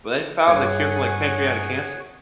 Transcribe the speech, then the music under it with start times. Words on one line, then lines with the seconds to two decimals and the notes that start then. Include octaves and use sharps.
But, they found a cure for, like, pancreatic cancer.
0.48 G2 C#4 G#4 C#5 F#5